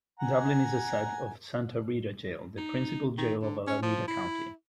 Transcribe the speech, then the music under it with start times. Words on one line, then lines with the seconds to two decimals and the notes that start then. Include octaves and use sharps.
Dublin is the site of Santa Rita Jail, the principal jail for Alameda County.
0.20 F#5 G#5 A#5
2.57 D#4
3.18 D#3
3.42 D3
3.67 C#4
3.82 F3
4.08 E4